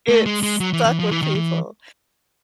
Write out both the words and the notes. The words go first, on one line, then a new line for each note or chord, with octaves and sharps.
It stuck with people.
A3
G#3
G#3
F#3
E3
E3
F3
E3
D#3
E3